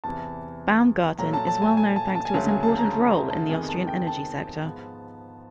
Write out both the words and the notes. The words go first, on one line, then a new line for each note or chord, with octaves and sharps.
Baumgarten is well known thanks to its important role in the Austrian energy sector.
E2 C3 E3 A5
A#2 F#3 A3 A#5
A5
A5
G#5
G#5
A5
A5
G#5
D2 C#3 F#3 A#3 A5
G#5
A5
A#5
A5
A#5
A5
F2 C3 D#3 G#3 B3 G#5
A5
G5
A5
G#2 F3 G#3 B3